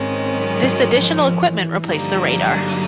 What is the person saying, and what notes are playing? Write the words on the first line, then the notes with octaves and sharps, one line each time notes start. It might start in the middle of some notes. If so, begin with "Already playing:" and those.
This additional equipment replaced the radar.
Already playing: G#2 D#3 G#3 C4 C#4
F#3
F3
E3
G2 D3 F3 G3 A#3 D#4
F#3